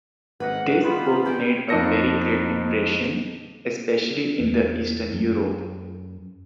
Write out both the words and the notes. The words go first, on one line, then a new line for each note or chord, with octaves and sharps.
This book made a very great impression, especially in the Eastern Europe.
G#1 A#3 B4 D#5 F#5
D#3 G3 B3 F4 B5
B3 C#4 F4 C5 D5 G5
F2 D#4 A5 A#6 C#7
E2
F#2